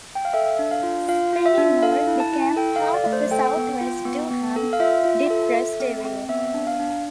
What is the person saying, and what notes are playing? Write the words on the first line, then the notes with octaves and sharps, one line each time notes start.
Spennymoor became part of the South West Durham depressed area.
G5
F5
A4 E5
D4
F5
F4
F4 F5
F4
E5
D4
A4 F5
E4
A5
E4
A4 G5
F5
A4
D5
A3
C5
A4 G5
B3
F4
B3
B3
A4
F5
F4 E5
F4
A4
A4
C4
C4
B3 E5
D4
F5
D4